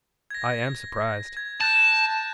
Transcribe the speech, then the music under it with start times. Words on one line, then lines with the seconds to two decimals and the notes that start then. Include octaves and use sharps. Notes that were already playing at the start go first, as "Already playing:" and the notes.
I am surprised.
0.30 G#6 A#6
1.37 G#6
1.61 A5 F#6 G6 A6